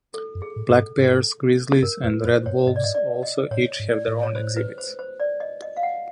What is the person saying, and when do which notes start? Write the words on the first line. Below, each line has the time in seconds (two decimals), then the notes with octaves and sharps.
Black bears, grizzlies and red wolves also each have their own exhibits.
0.14 A4
0.35 F#2
0.42 G#4
0.56 A2
0.69 G2 A4
0.77 G#2
0.98 G#2
1.82 G2 A#4
2.03 F2 B4
2.24 F#2 C5
2.46 G2 C#5
2.67 G#2 D#5
2.76 D5
2.84 D#5
2.95 D5
3.23 D#5
3.51 A2 C#5
3.79 G#2
3.93 D5
4.07 A2
4.23 C#5
4.35 C5
4.56 B4
4.78 C5
4.99 C5
5.20 D5
5.40 D#5
5.62 D#5
5.77 F5
5.83 F#5